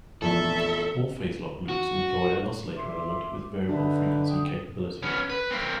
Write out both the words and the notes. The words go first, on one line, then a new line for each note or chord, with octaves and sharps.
All phase-locked loops employ an oscillator element with variable frequency capability.
F1 A#1 E2 A4 E5
F#4
E5 C6 D6
D3 D#4 B4 E5
G5 D#6
B3 C#4
B4
A#3 C4